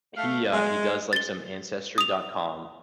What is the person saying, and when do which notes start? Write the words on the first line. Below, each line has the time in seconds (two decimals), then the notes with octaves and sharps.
He uh, he does like some Ancestry.com
0.17 A3 F5
0.52 G#3
1.13 A6 G7
1.98 D#6 F7